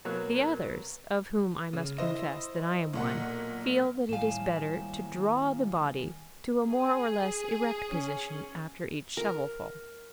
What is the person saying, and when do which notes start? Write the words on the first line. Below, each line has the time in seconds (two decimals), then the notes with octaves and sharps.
The others, of whom I must confess that I am one, feel that it is better to draw the body to a more or less erect position after each shovelful.
0.05 B2 F#3 A#3 F#6
1.73 C#3
1.98 E4 C5 D#5
2.93 B1 A#2 F#5
4.09 A2 D#3 F3 G3 A#3 F5 G#5 E7
6.66 G#4
7.91 C#4
9.17 A#4